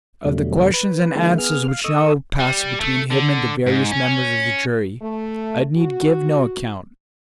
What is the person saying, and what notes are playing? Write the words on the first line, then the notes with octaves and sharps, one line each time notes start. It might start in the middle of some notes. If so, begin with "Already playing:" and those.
Of the questions and answers which now passed between him and the various members of the jury I need give no account.
E2 B2 D3 F#3 G3 A3
B4
D3 G#3 A#3 E4
B3 G#4 F6
F5
A4 D#5 C#6 D#6 E6
G3
A3
D3
G#2
C#4
A3
F#4